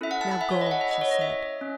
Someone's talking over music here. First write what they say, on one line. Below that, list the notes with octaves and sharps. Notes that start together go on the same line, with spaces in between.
"Now go," she said.
C#4 E4 A4 E5
F#5
A5
B5
E5
C#5
D#5
E5
F#5
E5
D#5
C#5
D#5
E5
C#4